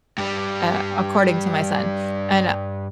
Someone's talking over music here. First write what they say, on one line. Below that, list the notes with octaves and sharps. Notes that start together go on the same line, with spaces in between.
uh- according to my son- and I
G2 G3